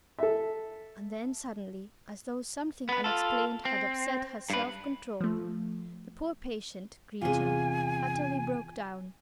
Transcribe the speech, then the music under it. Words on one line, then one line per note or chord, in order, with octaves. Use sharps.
And then suddenly, as though something unexplained had upset her self-control, the poor patient creature utterly broke down.
A4 E5
B3 B4
F4 A4
C4
G2 B4
F3 A3
E2 C3 F4 G#4 G#5